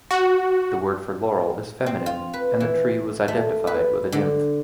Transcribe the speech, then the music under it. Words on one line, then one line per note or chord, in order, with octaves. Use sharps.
The word for laurel is feminine and the tree was identified with a nymph.
F#4
C4
F4
B4
E3
A3
B4
D3